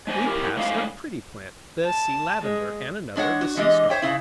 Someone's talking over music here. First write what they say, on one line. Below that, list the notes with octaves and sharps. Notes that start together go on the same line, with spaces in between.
We pass a pretty plant, the Sea Lavender, and another, the Sea Stock.
G#3 D4 C5 D5 G#5
E4 G4 A#4
A2 C#3 G#3 D4 C5 F5
A5
G#3
G#3 D4 C#5 F#5
F#4
E3 G#3 D4 G4 D#5
C5 C#5 E5 G5
C#3 E4